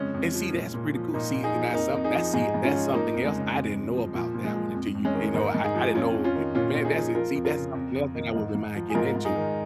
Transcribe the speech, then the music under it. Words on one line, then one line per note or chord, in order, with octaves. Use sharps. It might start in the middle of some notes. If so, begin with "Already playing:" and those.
And see, that's pretty cool, see, and that's some that's see, that's something else, I didn't know about that one until you, eh know, I I didn't know, y man, that's it see, that's something else that I wouldn't mind getting into,
Already playing: F2 C#3 G#3 C#4
F2
F3
A#2
A#2
F3
A#2 A#3 D#4
A#2
D#4 G#4
F3
F2 A#3 D#4
F2
D#4 G#4
F3
G#2 D#4 G#4
G#2
C#4 F4
F3
F3 A#3 D#4
F2
G#3
C#3
F2
F2
F3
A#2 F3
A#2
G#3
F3
F2
F2
G#3 C#4
D#3
G#2 A#3 D#4
G#2
D#4 G#4
F3
F2 C#4 F4
F2
C#4 F4
D#3
A#2 C#4 F4
A#2
D#4 G#4
F3
F3 F4 A#4
F2
F4 A#4
C#3
F2
F2
D#3
G#2
G#2
F3
G#4
G#2 F4 A#4
G#2
D#4 G#4
D#3